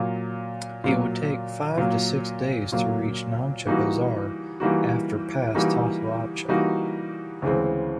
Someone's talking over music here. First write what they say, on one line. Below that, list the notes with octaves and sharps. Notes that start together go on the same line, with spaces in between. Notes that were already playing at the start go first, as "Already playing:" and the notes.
It would take five to six days to reach Namche Bazaar after pass Tasilapcha.
Already playing: A#2 F#3 A#3
A#2 F#3 A#3
A#2 F#3 A#3
A#2 F#3 A#3
E3 G3 A#3 D#4 F#4
E3 G3 A#3 D#4 F#4
E3 G3 A#3 D#4 F#4
E3 G3 A#3 D#4 F#4
D2 C#3 E3 G#3 C4